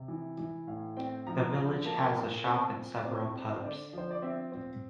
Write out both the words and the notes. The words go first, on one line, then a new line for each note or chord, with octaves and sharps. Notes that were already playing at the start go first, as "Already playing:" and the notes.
The village has a shop and several pubs.
Already playing: C3
E3
E3
A2 F5
C4 G5
F3 A#5
F3
A#3 A5
A#2
C4 A5
A#2
D5
C4 C5
C4
C5
D3 D5
F3 C5
D5
C4 E5
C4